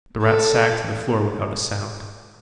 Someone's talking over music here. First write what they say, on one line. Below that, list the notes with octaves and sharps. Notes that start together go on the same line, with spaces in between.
The Rat sagged to the floor without a sound.
A4